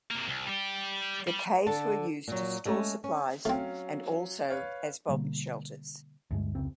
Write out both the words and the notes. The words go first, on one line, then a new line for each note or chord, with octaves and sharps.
The caves were used to store supplies and also as bomb shelters.
C3 A#3
C2
G3 G4
G3
D3 A4 A5
A#2 F#3
G#3 A3 C#4
C#4
F#3 A3 C4 C#4 F5
B4 C#5 F5
B2 D3 G3 A#3
D2 G2 G#3
F1 C#2 C#3 C4